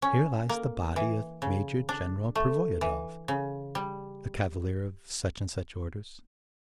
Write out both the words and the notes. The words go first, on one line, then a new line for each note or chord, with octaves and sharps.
"Here lies the body of Major-General Pervoyedov ... a cavalier of such and such orders." Hm!
C#4
A#3
E3
C#3
D4
A3
E3
C#3
G3